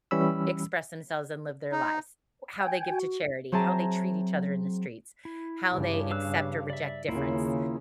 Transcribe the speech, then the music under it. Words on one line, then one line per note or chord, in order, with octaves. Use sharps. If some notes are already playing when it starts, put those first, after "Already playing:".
express themselves and live their lives, how they give to charity, how they treat each other in the streets, how they accept or reject difference.
E3 G3 C#4 B5 E6
D#4
G5 G#5
F#4
F#3 C4 G#4 E5 A5 A#5
E4
G2 C#3
F5 E6 F#6
D5 E5
D#2 C#3 A#3 E4 F4